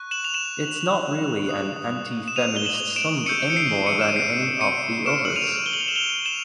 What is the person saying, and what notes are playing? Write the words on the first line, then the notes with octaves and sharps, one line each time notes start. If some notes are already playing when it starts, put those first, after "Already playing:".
It's not really an anti-feminist song any more than any of the others...
Already playing: C#6 F#6
E7 F#7
F7
E7 F#7
D#6 F#6
E7
D#7 F7
G7
E7 F#7
D7 E7
C#6 E6 G6 C#7 D#7
C#7
C7 D7
C#7 D#7
E7
D#7
C7 D7
C#7 D#7
C#6 F6 D7 E7
F#7
D#7 F7
G7
F#7
F7
E7 F#7
F7 G7
E7 F#7